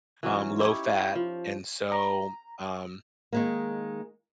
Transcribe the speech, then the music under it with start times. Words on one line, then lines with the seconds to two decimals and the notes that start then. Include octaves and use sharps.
um, low-fat, and so, um,
0.23 E3 F#3 C#4
0.59 D#4 E4 G4 C#5
1.15 F3
1.92 A#5
3.33 D#3 G#3 A#3